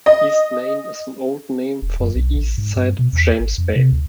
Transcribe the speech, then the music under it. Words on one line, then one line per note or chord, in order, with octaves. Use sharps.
'East Main' is an old name for the east side of James Bay.
D#5
E1
F#2
B1
A1
G#2
G2
B2
E2
G#1
F2
C3
D2